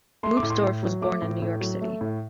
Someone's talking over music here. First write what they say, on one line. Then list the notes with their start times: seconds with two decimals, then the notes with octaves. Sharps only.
Leubsdorf was born in New York City.
0.23 A3 C6
0.37 D6
0.43 A2
0.50 C6
0.62 A2
0.83 F#3
1.01 A3 D6
1.22 A2
1.42 A2
1.61 F#3
1.81 A3
2.01 A2